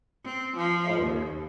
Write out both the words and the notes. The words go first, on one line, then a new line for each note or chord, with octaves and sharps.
Oh, yeah.
C4
F3
D#2